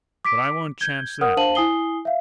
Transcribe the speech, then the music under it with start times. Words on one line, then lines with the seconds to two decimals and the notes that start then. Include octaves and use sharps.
But I won't chance that yet.
0.25 D6 B6 D7
0.80 G6 G#6 G7
1.21 A#4 F#5 D#6 F6
1.37 D4 C5 F5 A5 D#7 F#7
1.55 E4 G#5 D#6 C7 G7
2.05 E5 F5